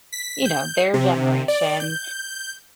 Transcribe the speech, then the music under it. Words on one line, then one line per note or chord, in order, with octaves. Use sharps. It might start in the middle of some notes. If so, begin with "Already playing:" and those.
you know, their generation,
B6
G6
C3
D5
G6